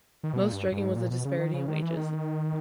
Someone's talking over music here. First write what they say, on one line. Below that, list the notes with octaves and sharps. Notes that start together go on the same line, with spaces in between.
Most striking was the disparity in wages.
D#3
B2
A#2
G2
G2
G#2
A#2
B2
C#3
D#3
C#3
D#3
E3
D#3